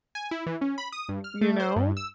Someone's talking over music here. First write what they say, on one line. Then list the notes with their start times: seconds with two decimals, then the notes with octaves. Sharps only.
You know?
0.15 G#5
0.31 E4
0.46 E3
0.61 C#4
0.78 B5
0.92 D#6
1.09 G2
1.24 F6
1.41 A3
1.60 C5
1.76 G2
1.97 E6